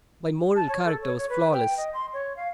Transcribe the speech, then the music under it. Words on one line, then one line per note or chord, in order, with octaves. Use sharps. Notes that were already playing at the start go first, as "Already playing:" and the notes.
My moral character was flawless.
A5
C#5
A4
C#5
C#5
B4
G5
D#5
C6
C#5
F5